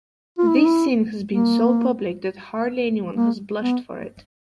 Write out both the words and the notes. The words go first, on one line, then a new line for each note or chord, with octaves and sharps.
This sin has been so public that hardly anyone has blushed for it.
F4
E4
D#4
E4
A#3
A#3
B3